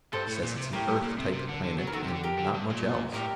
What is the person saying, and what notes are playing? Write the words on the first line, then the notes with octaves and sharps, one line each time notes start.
Says it's an Earth-type planet, and not much else.
G2 A4 C5
A2
A#2
C3
A2 G4 A#4
G2
A#2
C3
C3
D3
D3
F#3
A#4
D#3 F#4 A4
C3
G4
D3
G4 A#4
D3
G2
A#2
A2 G4 A#4